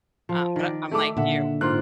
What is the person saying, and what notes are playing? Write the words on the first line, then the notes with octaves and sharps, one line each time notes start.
Um, but a I'm like you
F3
D#3 D5
A3 A4 D6
A#2 D3 E5 F#5
G#2 A#3 F4 F#6